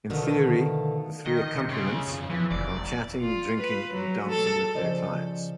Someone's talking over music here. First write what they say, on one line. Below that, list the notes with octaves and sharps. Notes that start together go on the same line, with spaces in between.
In theory, the "three accompaniments" are chatting, drinking and dancing with their clients.
B2 D3 D#3 F3 A3
D#3 D#5
C3
C#3 C#4 C6
E2 F3
E3 F3
F1 D5
F4
B4
F#3
A4
C#3 F3 C5 D5 D#5